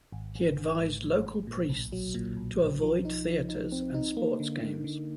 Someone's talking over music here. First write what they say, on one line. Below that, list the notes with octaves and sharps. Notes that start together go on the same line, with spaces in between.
He advised local priests to avoid theaters and sports games.
G#1
G#1
G#1
G#2
G#2
G#1
A#2
B1
F#3
A#2
B1
B1
F3
D#4
F3
D#4
C4
D#4
A#3
D3
D3
D3